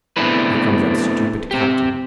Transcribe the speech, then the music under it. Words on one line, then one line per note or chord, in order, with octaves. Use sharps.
"Here comes that stupid captain."
A3 B3 C4 D4 E4 B4
C4 G4